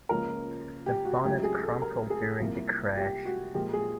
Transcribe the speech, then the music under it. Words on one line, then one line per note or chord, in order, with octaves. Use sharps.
The bonnet crumpled during the crash.
C#2 C#3 F3 A#3 C#4 A#4
G4
F#4
C#2 C#3 F#3 A3 G4
G#4
A4
A#4
G#4
C2 C3 F3 A#3
G4
F#4
A#2 F3 G#3 G4
G#4